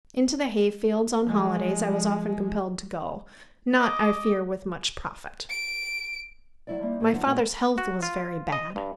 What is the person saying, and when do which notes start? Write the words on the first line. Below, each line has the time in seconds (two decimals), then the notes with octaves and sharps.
Into the hay-field on holidays I was often compelled to go,--not, I fear, with much profit. My father's health was very bad.
1.25 F3 G#3
3.76 D#5 D6
5.50 D7
6.67 F#3 E4 D5
6.81 G3 A#3 C4 D#4
7.00 A2 A#3
7.13 D3 F3 F#3 B3
7.25 G2 A#2 G#3 C#4 F#4 A#4
7.78 F#4
8.03 F4
8.52 D#5
8.76 G2